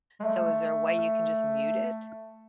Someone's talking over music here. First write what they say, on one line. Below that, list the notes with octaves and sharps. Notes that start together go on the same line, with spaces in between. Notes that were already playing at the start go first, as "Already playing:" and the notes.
So, is there a way you can just mute it?
G#3
A3